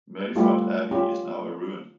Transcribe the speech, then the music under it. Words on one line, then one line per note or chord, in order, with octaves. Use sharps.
Mellifont Abbey is now a ruin.
G3 A3 E4 F4 G4
C#4 F4 G4